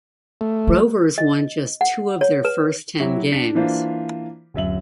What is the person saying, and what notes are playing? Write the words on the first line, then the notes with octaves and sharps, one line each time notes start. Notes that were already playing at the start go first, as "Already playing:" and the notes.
Rovers won just two of their first ten games.
A3
F#3
D#5
F#5
C#5
B4
F#3 E4 F#4 G4
D4 B6
E3 A#3 D4 F4 C5
D1 F#2 E5 F#7